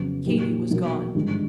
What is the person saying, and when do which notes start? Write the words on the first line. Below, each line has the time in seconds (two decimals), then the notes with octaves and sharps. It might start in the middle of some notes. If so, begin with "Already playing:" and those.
Katy was gone.
Already playing: F2 C#3 F#3 B3
0.26 A#2 F#3 A#3 D#4 G4
0.70 B1 B2 F#3 A#3
1.15 G#1 G2 D3 F3 G#3